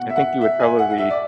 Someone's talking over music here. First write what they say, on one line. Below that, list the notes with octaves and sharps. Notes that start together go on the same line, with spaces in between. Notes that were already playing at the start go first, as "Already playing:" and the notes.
I think you would probably
Already playing: B2 F#5
E5
F#5
E5
G#5
F#5
F#5
E5
D5